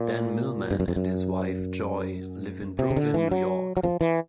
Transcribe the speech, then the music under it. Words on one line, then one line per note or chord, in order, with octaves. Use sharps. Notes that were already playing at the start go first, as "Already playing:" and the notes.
Dan Millman and his wife Joy live in Brooklyn, New York.
Already playing: A#2
G2
F#2
F2
F#2
C3
C#3
D3
E3
F#3
F#3
F3
E3